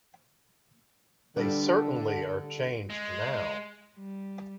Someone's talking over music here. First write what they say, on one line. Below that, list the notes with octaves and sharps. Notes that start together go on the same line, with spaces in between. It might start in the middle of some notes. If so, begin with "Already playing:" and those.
They certainly are changed now.
D3 G3 D4 F4 G4 A4 B4
G#3
G3